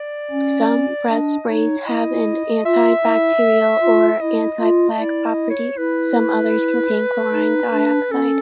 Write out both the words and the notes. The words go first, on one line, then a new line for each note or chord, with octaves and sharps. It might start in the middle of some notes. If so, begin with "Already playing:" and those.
Some breath sprays have an antibacterial or anti-plaque property; some others contain chlorine dioxide.
Already playing: D5
C#4
D4 D#5
D#4 C#5
E4 D#5
F4 E5
E4
F4
E4 D#5
F4
E4 D5
D#5
C#5
E4 B4
D#4
D4
C#4 A4